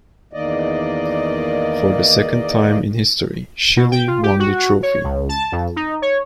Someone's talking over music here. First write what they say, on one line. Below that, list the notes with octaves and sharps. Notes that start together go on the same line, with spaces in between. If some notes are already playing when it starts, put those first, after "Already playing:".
For the second time in history, Chile won the trophy.
E2 D#3 A#3 D5 D#5
B2
G5
F4
G4
F#4
C#5
C#2
A5
F2
D#4
C#5